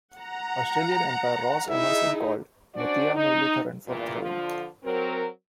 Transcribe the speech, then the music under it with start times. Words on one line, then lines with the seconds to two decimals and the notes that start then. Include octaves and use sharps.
Australian Umpire Ross Emerson called Muttiah Muralitharan for throwing.
0.14 F#5 A#5
1.70 D#4 E4 G#4 E5
2.75 C#4 D4 F#4 C5 D5
3.15 D#4
3.87 E2 G2 A#2
4.22 D3 F3 F4
4.84 F#3 C4 A#4